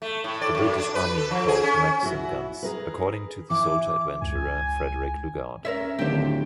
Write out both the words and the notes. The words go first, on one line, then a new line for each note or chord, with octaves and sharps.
The British army employed Maxim guns, according to the soldier-adventurer Frederick Lugard.
A3
A2
D5
F#2
D4
B4
A4
F3
G#4
C#4
E4 F#4
G#4 A#4 B4
E3 E4 D6
C#2 G#5
C#4 A#4 C#5 E5
D1 D3 D#3 G4 C5